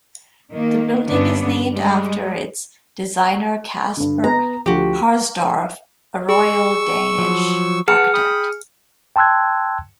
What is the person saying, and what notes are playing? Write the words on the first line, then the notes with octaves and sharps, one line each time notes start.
The building is named after its designer Caspar Harsdorff, a royal Danish architect.
D#3 A#3
G2 D3 B3 C#4 D4
G3 G#3
G2 D3
B3 A#5
D2 F3 F#4 G4
G#4 C#6 E6
F3 F#3
G#4 B4 F#5 A5 F6 C#7
G5 B5 D#6
G5 A5 C6 E6 F#6 G#6